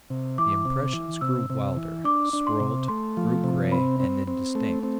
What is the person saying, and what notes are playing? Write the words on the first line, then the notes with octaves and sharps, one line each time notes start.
The impressions grew wilder, swirled, grew gray and indistinct.
C3
E3 D6
C3
E3
C3 E6
C3
E3
D4 D6
D4
C6
C3
A3 C6
F3
C3
C4 B5
C4
C4
A3
C4